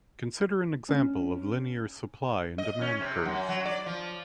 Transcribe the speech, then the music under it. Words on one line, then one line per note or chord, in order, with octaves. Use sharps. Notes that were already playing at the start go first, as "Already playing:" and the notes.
Consider an example of linear supply and demand curves.
C#4
D#5
C#4
C3
F#2
F#3
D5
F3